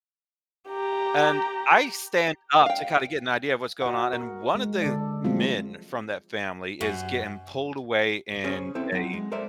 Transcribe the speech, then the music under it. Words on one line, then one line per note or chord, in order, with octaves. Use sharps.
and I stand up to kinda get an idea of what's going on, and one of the men from that family is getting pulled away in they
G4 A#5
F5 G5
F#4 D#5 F#5
A#4
G#3
D3 A4 D5
F3 F#3 G#3 A3 C4 F4
F#2
C#4 G#4 C5
C4 E4 A4 C5
F#3 C4 F#5
G#3
A4 A#4 C5 D5 E5